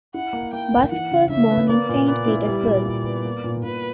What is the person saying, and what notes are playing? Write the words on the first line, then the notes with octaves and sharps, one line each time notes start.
Busk was born in Saint Petersburg.
E4 F#5
A#3
A#3 G5
A#4
E3 F#5
C#3
C#3 E5
B3
A#3 D5
A#2
B4 D5
E4
G3 D5
A#2
A#2
B3
A#3
A#2
A#2 B4